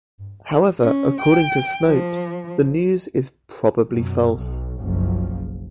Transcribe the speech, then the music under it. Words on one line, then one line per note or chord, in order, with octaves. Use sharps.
However, according to Snopes, the news is "probably false".
C#4
G5
F3
F#2 B2
B1
F#1 B1 F3